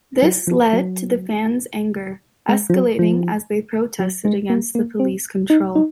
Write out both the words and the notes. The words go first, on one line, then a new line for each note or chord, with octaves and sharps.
This led to the fans' anger escalating as they protested against the police control.
F#3
F3
F#3
G#3
F3
F#3
F3
F#3
G#3
A#3
A#3
C4
D#4
D#4